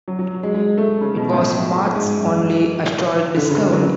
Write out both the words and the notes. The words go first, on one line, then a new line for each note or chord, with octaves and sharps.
It was Marth's only asteroid discovery.
F#3
F#3
G#3
G#3
A3
C#3
B2
A2
G#2
F#2
D3
C#3
D3
F#3